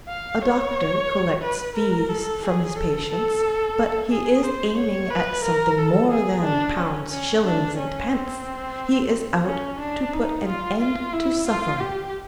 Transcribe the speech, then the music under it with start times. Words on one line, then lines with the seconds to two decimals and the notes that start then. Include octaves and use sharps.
A doctor collects fees from his patients, but he is aiming at something more than pounds, shillings, and pence; he is out to put an end to suffering.
0.09 F5
0.42 C#5
1.42 B4
1.76 A#4
2.09 A4
2.43 G#4
2.76 A4
3.10 A4
4.11 G#4
4.43 C5
4.77 C#5
5.10 B4
5.44 A#4
5.78 A4
6.12 G#4
6.44 D4
6.78 C#4
7.11 C#4
7.45 D4
7.78 C#4
8.12 C4
9.46 C#4
9.80 D4
10.13 D#4
10.47 F4
10.81 F4
11.13 E4
11.48 F4
11.80 G4